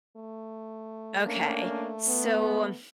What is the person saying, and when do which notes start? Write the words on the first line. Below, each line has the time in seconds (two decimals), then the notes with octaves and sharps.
Okay. So, um
0.16 A3
1.25 A#3 C#4 D4
2.06 B3